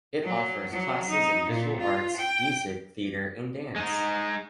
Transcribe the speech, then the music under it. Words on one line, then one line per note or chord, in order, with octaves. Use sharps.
It offers classes in visual arts, music, theater and dance.
F#3
F#3
D#4
A#2
F4
G5
G#3 D#4